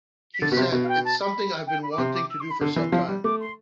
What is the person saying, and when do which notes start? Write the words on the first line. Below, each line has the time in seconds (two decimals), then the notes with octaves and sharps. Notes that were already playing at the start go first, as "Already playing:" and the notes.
He said, It's something I've been wanting to do for sometime...
0.34 B6
0.41 D3 A6
0.52 B2 B6
0.57 C3
0.62 C6
0.72 B2
0.83 F5
0.88 G5
1.05 A5
1.21 B5
1.67 G5
1.83 B5
1.91 D6
1.98 C3 C6
2.14 D6
2.30 E6
2.40 C6
2.50 B5
2.61 D3 C6
2.76 E3
2.92 F3
3.08 G3
3.24 A3 D6
3.40 C6